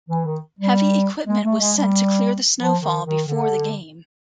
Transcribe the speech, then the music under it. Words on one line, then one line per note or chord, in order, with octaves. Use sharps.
Heavy equipment was sent to clear the snowfall before the game.
E3
D#3
G3
G#3
A3
G#3
G3
F3
D#3
D#3
D3